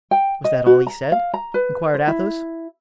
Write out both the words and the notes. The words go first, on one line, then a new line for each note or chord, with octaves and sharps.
"Was that all he said?" inquired Athos.
G5
D#5
F#4
A#5
F5
A#5
B4
C5
E4